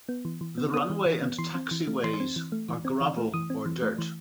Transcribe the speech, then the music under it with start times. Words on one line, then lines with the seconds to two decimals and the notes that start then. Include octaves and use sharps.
The runway and taxiways are gravel or dirt.
0.09 B3
0.25 E3
0.41 E3
0.58 B3
0.74 B3 D#6
0.90 E3
1.06 E3
1.22 B3
1.38 E3 C6
1.55 C4
1.71 E3
1.88 A3
2.04 E3 C6
2.20 C4
2.36 E3
2.52 A3
2.69 E3
2.85 C4
3.01 E3
3.17 A3
3.34 E3 D#6
3.50 C4
3.66 E3
3.82 A3
3.98 E3